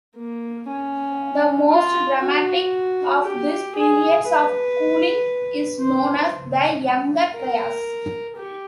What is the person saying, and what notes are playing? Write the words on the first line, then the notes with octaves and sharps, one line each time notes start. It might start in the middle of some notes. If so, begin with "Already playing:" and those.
The most dramatic of these periods of cooling is known as the Younger Dryas.
A#3
C#4
F4
F#4
G4
G#4
B4
C5
A#4
G4